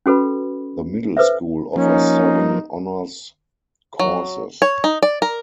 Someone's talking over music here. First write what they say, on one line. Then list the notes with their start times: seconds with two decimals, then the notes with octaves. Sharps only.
The middle school offers seven honors courses.
0.06 C#4 F#4 A4 B4 B5
1.17 A4 B4 C5 E5
1.76 F3 A#3 C#4 D#4
3.99 F#3
4.62 C#5
4.84 D#4
5.02 D5
5.22 A#4